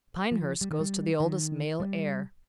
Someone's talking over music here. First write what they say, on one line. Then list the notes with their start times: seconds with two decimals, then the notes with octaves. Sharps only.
Pinehurst goes to the oldest male heir.
0.32 F3
0.61 G3
0.71 D#3
0.80 G3
1.20 D#3
1.80 G3